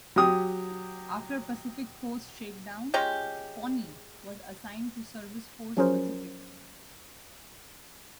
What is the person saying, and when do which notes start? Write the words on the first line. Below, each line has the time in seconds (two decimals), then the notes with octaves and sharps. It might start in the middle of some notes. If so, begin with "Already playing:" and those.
After Pacific coast shakedown "Pawnee" was assigned to Service Force, Pacific.
0.16 F#3 G4 D#6
2.94 G#3 C#4 F4 G4
5.77 F3 F#3 C#4 G#4 A#4 C5